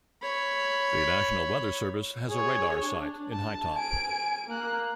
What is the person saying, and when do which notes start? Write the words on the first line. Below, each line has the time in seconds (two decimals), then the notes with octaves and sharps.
The National Weather Service has a radar site in Hytop.
0.22 C#5 B5
2.29 G#4 C#5
2.82 D4
3.33 A5
3.75 G#5 D7
4.47 A#3 F#6